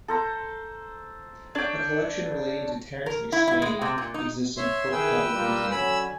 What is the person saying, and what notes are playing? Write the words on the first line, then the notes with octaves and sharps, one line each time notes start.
A collection relating to Terence MacSwiney exists in Cork Public Museum.
A4 C5 A#5
D4 C#5 G5
A#4
E4
E4
G#3
C3
A#2
D#4
C#5 E5 C6
D#3 E3 G#4 B4 G5 E6
G3 F4 A#4
D3 F#3 C#4 G#5 B5 E6